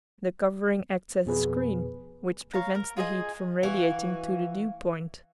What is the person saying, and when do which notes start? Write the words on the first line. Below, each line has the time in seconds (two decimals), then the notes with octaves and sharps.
The covering acts as a screen, which prevents the heat from radiating to the dew point.
1.26 F2 B2 G#4 B4
2.53 C#5 F5 A#5
2.75 A#4
2.97 F4 G#4 D#5 G#5
3.63 E3 F#4 F5